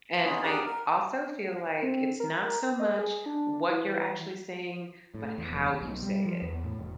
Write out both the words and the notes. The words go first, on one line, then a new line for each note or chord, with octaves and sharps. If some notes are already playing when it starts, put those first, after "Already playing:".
And I also feel like it's not so much what you're actually saying, but how you say it.
A#3 B3 C#4 D#4 F4
D4 G4 G#4 A#4 F#5
A#4
C4
A#4
D#5
G#4
D4
E3
E3
A2
E2
F1
D#2
B1
G3
F3
E2
A2
E1